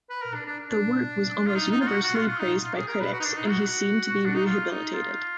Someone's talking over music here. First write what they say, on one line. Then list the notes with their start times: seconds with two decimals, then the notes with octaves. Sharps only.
The work was almost universally praised by critics, and he seemed to be rehabilitated.
0.10 B4
0.22 A#4
0.34 D4
0.46 D4
0.68 D4
1.46 F4
1.55 D#4
1.71 D#4
1.81 F4
1.88 F#4
2.04 F#4
2.16 F4
2.28 F4
2.39 D#4
2.64 F4
2.76 G#4
2.88 A#4
3.01 B4
3.13 F#4
3.20 D#4
3.25 D4
3.36 D#4
3.49 F#4
4.25 D4
4.36 D#4
4.46 F4
4.70 D#4
4.94 F4